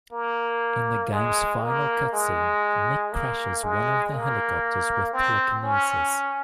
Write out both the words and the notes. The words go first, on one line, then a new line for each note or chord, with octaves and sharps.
In the game's final cutscene, Nick crashes one of the helicopters with telekinesis.
A#3
G#3
A#3
G#3
A#3
G#3
A#3
C4
C#4